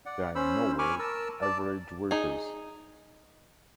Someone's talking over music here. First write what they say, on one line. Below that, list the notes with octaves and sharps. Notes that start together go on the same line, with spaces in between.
They are in no way average workers.
D5 F#5
C#4 C5 B5 E6
G#5 B5 C#6 D6 F6
A#4 A5 E6
D5 A5
D#4 G#4